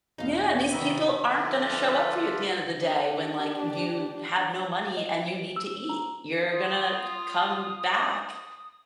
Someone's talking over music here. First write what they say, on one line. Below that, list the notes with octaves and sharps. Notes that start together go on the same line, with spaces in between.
Yeah, these people aren't gonna show up for you at the end of the day when, like, you have no money and you need to eat. You're gonna come back
E2 B2 D#4 F5
C3 D#3 B3 E5 G5 A#5 C#6
D3 F3 F4 B4 D5 E5
D4 G4
D#5
D7
E6
A#5
F4 D#6